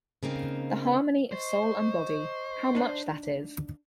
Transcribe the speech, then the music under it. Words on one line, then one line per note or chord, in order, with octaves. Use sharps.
The harmony of soul and body — how much that is!
C#3 A#3 C4 D#4
C5 D#5 C#6
D4 D#4